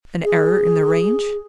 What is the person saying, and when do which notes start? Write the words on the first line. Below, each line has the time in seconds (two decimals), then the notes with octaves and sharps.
An error in the range?
0.24 G#4